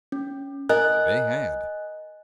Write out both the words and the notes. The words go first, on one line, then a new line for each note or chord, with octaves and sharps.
They had.
C#4
A#4 D#5 G#5 F#6